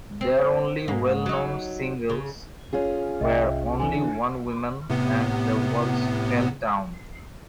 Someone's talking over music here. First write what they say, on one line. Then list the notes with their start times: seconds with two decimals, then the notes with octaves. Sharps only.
Their only well-known singles were "Only One Woman" and "The Walls Fell Down".
0.21 C4
0.88 G#2 A#3
1.26 F#3 D#4
2.10 C#3
2.73 C#4 F4 G#4
3.21 C2 D#5 E5 G5
3.80 D3 E3 G#5
3.96 D4
4.90 A2 C3 B3